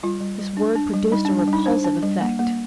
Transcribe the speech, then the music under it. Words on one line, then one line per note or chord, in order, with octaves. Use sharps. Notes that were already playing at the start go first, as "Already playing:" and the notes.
This word produced a repulsive effect.
G3 F4
G3
G3
D4
D4
G3
G3 D#4
G3 D4
D4
G3
D#4
D4 C5
D4
G3
A#3
A#3